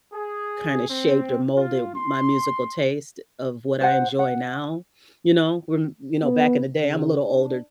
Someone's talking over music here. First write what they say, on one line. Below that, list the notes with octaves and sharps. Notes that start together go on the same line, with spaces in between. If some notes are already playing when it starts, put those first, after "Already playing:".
kinda shaped, or molded, my musical taste of what I enjoy now, you know? When you know, back in the day I'm a little older
G#4
C4
F4
C6
C5 F#5
F#5
B3
C#3
D4